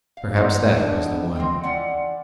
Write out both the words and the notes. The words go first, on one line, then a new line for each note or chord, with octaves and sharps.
Perhaps that was the one.
F5
B3 D#4 F4 F#4 A#4 C5
A#2 D3 B3 D4 D#5 A5
C4 F4 D#5 G5
E3 C#4 D5 F#5